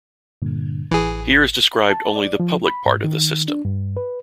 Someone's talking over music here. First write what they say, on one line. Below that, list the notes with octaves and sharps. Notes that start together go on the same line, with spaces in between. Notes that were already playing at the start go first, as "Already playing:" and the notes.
Here is described only the public part of the system.
G2 A#2 D3
A1 E3 G#4
A5
D5
F3
B5
G#2
D#3
D4
G2
B4